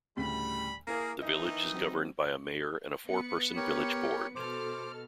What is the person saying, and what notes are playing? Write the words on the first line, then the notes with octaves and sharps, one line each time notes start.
The Village is governed by a Mayor and a four-person Village Board.
D2 A2 C#3 G3 B5
A#3 E4 G#4 A#4
D#3 E3 D#4 D#5 E5
F#3 C4
B3 B4 C#7
G4 A#4 C#5
B2 A4 C5 D6 F6